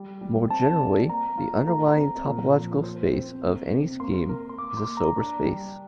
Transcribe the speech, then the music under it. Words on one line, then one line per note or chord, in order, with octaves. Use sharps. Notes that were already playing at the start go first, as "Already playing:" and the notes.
More generally, the underlying topological space of any scheme is a sober space.
Already playing: G3
G3
C4 A5
D5
A#3 A#5
F4
A3 A#5
C4
A#2
F3
C5
C4
A#3
C3
A#3 C6
A#4
C6
A#3 D6
C6
A#3
A#5
D4
G3